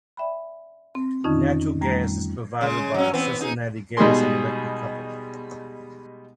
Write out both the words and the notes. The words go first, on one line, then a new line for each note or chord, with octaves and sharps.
Natural gas is provided by the Cincinnati Gas and Electric Company.
D5 E5 G5 B5
C4
F2 D3 D#3 C#4 D#4 F4
F2 G3 A3 A#5
C#3 G#3
F#3 C#4
E3 B3 C4
D#4 G#4
B2 G3 G#3 D#4 G#4 C6